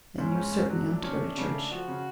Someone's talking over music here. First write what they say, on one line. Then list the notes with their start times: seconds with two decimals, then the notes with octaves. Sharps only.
"Then you certainly ought to go to church."
0.18 G#2 C#4
0.36 G#2
0.52 G#2
0.69 F#3 D4
0.86 A3
1.04 C#4
1.20 A3
1.37 C#3
1.53 A3
1.71 F3 F#4
1.88 C#3